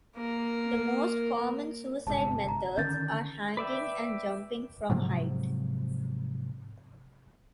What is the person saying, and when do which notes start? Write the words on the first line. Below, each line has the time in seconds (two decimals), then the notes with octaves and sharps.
The most common suicide methods are hanging and jumping from height.
0.16 A#3 A#4
2.07 G1 G#2 C3 A5
2.49 A#5
2.77 D3 D#3 C#4 G6 A6
3.57 B4 D5 E5 G5
4.90 G#2 C3 F3 F#3